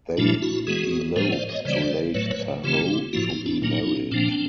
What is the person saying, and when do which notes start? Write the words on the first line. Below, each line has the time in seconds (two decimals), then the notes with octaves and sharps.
They elope to Lake Tahoe to be married.
0.17 A#2 F3 A3 D4 E4
0.42 E4 F#4
0.67 E3 G#3 B3 F#4 G#4
1.16 A2 F3 G#3 B3 A#4 C5
1.32 C5 D5
1.49 C#5 D#5
1.65 C#3 E3 G3 B3 C5 D5
2.14 A2 F#3 A3 B4 C#5
2.31 B4 C#5
2.64 C#3 E3 A3 C4 F4 G4
3.13 A2 F3 A#3 E4 F#4
3.30 D#4 F4
3.46 D4 E4
3.62 A#2 F#3 A#3 C#4 D#4
4.11 A#2 F3 A#3 C4 D4